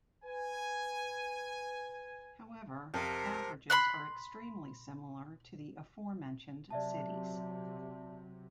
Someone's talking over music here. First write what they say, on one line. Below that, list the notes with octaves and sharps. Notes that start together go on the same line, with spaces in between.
However, averages are extremely similar to the aforementioned cities.
B4 G#5
F2 C3 A#4 A5
B5 C6 F#6
C3 F#3 D5 E5 A5